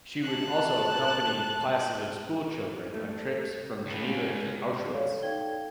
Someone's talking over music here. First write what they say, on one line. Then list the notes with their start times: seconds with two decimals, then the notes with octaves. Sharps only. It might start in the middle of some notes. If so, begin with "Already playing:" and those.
She would also accompany classes of schoolchildren on trips from Geneva to Auschwitz.
0.23 A5 F#6
2.94 A3
3.86 C#2
4.94 A4 C#5 D5 F5
5.23 D#4 A4 F5 G5 G#6 G7